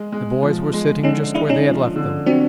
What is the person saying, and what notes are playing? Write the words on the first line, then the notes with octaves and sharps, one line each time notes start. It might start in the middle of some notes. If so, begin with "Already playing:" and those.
The boys were sitting just where they had left them.
Already playing: G#3
G#3
F3
G#3
D3 C#4 D#4
G#3 D4 E4
C#4 D#4
F3
D3
F#3 C4 D4